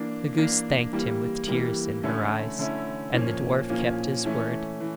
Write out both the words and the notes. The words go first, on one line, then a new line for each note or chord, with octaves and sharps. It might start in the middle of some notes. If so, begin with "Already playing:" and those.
The goose thanked him with tears in her eyes, and the dwarf kept his word.
Already playing: E3 A#3 D4
E3 A#3 D4
E3 G3 A#3
E3 G3 A#3
D3 A3 C#4 E4
D3 A3 C#4 E4
A#2 F3 A#3 C#4
A#2 F3 A#3 C#4
E3 A3 C#4
E3